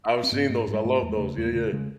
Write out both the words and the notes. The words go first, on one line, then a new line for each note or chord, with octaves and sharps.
I've seen those, I love those yeah, yeah.
C4
G#2 B3
G#2 A3
G#2
G#3
G#2 A3
E2 A3
G#3
C#3 A3
E2 A3
A#3
C#3 A3
C#3 G#3